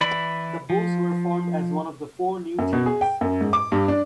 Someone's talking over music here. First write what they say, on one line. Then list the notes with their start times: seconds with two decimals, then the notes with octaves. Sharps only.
The Bulls were formed as one of the four new teams.
0.01 E3 E4 D5 B5
0.70 F3
2.59 F#2
2.73 B2
2.86 G#4
3.01 G5
3.21 F#2
3.41 G#2
3.53 D6
3.72 G2
3.88 D4